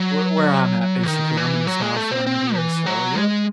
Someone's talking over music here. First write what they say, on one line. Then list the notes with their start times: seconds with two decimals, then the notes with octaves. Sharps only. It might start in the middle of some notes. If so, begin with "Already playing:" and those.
where where I'm at, basically, I'm in the South around here, so yep.
Already playing: F#3
1.03 E3
1.07 D#3
1.37 E3
1.67 F#3
1.82 G#3
1.96 A3
2.11 C4
2.27 C4
2.56 E3
2.86 F#3
3.15 G#3